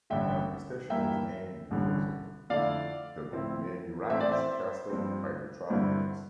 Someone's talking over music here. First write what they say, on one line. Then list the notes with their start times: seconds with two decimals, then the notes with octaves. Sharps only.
The station was named because of the many rags cast off by the travelers.
0.10 A1 G2 D3 E5 G5
0.90 G2 E3 A#3 E4 E5 G5
1.71 A1 G2 D3
2.50 F2 D3 A3 E4 D5 F5
3.31 A2 F3 C4 E4
4.10 A2 E3 A3 C4 E4 E5
4.20 D5
4.32 C5 E5
4.90 G2 F3 C4
5.70 G2 D3 G3 C4 E4